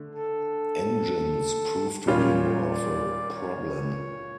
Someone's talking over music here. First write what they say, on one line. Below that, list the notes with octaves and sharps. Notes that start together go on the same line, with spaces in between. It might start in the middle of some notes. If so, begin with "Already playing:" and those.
Engines proved to be more of a problem.
Already playing: D3 A3
A4
A#2 G3 C#4 F4 C#5
D5
C#5